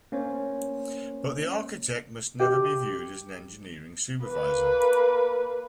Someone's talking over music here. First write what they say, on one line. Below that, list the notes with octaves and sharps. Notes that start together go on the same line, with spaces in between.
But the architect must never be viewed as an engineering supervisor.
A#3 C#4 C5 C#5
G4
A#3 B4